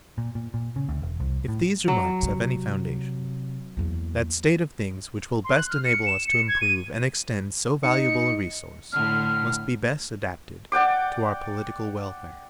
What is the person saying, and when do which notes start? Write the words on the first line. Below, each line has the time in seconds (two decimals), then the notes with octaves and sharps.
If these remarks have any foundation, that state of things which will best enable us to improve and extend so valuable a resource must be best adapted to our political welfare.
0.18 A#2
0.35 A#2
0.54 A#2
0.76 C#3
0.89 D2
1.02 E1
1.20 C2
1.48 A2
1.88 F#3
2.23 C3
3.77 E2 A#3
5.44 C6
5.56 F#6
5.69 F6
5.85 C#7
6.07 E7
6.27 C#7
6.48 G#6
6.61 D#7
7.83 D#4 C#7
8.93 A2 D3 F6
10.72 D5 F#5 G5 D6